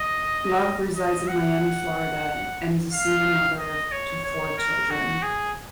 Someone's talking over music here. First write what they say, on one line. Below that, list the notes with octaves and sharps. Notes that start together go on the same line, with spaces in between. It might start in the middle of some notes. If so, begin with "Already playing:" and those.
Love resides in Miami, Florida, and is a single mother to four children.
Already playing: D#5
D#5
F#5
F5
D#5
C#5
C#5
A#4
F#4
G#4